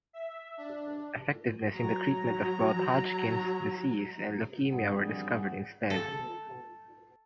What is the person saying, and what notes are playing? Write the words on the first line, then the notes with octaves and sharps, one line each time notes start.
Effectiveness in the treatment of both Hodgkin's Disease and leukemia were discovered instead.
E5
D4
F#3 A#5
G#1 G2 G3 G#4 F#5
A4